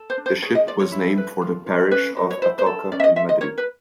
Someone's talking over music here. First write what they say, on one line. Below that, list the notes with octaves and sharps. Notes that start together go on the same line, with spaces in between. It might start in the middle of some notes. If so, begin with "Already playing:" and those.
The ship was named for the parish of Atocha in Madrid.
Already playing: A4
C5
D4
C5
G#4 C#5
D#5
F4 D5
C#5
E4
B4
F4
F4
C#4 B4
F#4
C#5
E4 C5
C5
A4
C#4 D5
E5
D#5
F4 E5
D#5
A#4 C#5
B4